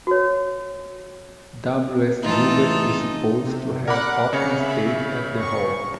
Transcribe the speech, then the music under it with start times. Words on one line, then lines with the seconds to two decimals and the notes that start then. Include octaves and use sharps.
W. S. Gilbert is supposed to have often stayed at the Hall.
0.07 F#4 C#5
2.23 A2 E3 D#4 F4 A4
3.42 C3
3.88 A#4 F#5 B5 D6 F#6
4.33 C#3 C#5 C#7
4.59 E5 B5
5.37 C#6